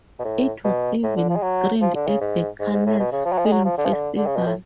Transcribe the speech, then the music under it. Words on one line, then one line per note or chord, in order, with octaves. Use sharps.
It was even screened at the Cannes Film Festival.
B2
A2
B2
A2
D3
F3
G#3
F#3
F3
D3
C#3
G#2
G#2
G#2
A2
B2
C#3
F3
F#3
F3
G#3
F#3
F3
D3
F3
D3
D3
C#3
B2
A2